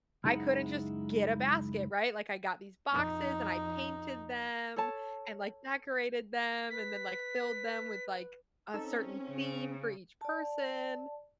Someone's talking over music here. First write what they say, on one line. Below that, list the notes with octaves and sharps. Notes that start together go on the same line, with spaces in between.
I couldn't just get a basket, right? Like, I got these boxes, and I painted them, and, like, decorated them, and then, like, filled them with, like, a certain theme for each person.
C#2 F#2 G#3 D#4 E4 F#5
F2 D#4
A4 C#5 A5
B4 B6
C4 C#4 D#4 A4 E6
C#3
D5 A5